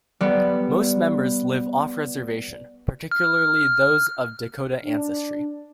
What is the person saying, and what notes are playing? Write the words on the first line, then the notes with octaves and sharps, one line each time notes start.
Most members live off-Reservation, particularly those of Dakota ancestry.
G3 B3
F6
D4